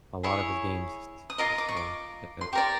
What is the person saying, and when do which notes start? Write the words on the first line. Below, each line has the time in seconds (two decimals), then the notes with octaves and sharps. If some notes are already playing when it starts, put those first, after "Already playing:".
a lot of his games. T and so, yeah, his
0.23 E4 G#4 C#5 C#6
1.30 D#6
1.38 F4 A#4 D#5 D6
1.58 D6
1.69 C#6
1.77 D6
2.41 C6
2.53 G4 A#4 D5 C#6